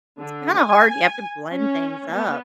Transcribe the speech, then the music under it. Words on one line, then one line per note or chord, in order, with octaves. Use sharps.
it's kinda hard, you have to blend things up,
D3
G#5
C#4
B3